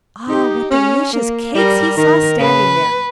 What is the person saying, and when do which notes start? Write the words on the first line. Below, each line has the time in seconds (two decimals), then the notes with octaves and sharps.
Ah, what delicious cakes he saw standing there!
0.28 D#4 G4
0.71 C#4
1.13 A#3
1.55 G3 A#4
1.97 D#3 A#4
2.40 C#3 B4